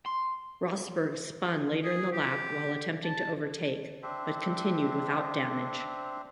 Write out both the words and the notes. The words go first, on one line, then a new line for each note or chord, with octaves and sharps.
Rosberg spun later in the lap while attempting to overtake, but continued without damage.
C6
G#4
G4
A5
C4 D4 C5 E5